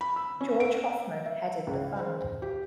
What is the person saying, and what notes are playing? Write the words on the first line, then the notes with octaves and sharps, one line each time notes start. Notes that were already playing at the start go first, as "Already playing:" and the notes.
George Hoffman headed the fund.
B5
E6
C#4
D7
E5
C#2
C5
G4